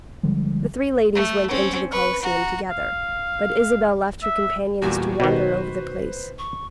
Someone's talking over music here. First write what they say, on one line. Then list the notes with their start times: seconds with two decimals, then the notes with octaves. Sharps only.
The three ladies went into the Coliseum together, but Isabel left her companions to wander over the place.
0.23 D3 F3 G3 G#3
1.15 A3
1.48 C4 C#4
1.91 B4 C#6
2.22 F#4 A#5
2.70 F5
4.22 E5
4.82 E2 A#2 G3 F#4
5.20 B2 D#3 B4 C5
6.39 C#6